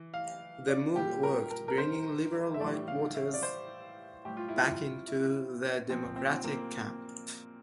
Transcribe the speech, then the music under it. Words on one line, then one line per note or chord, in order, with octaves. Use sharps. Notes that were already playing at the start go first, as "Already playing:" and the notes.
The move worked, bringing liberal white voters back into the Democratic camp.
Already playing: E3
F5
D5
A#2 G3 G4
A#4
A#4
A#4
C5
E5
A2 E3 G3 D5
F5
E5
D5
C5
A2 G3 G4
F4
E4
F4
E4
A#2 F3 C4
C4
A#3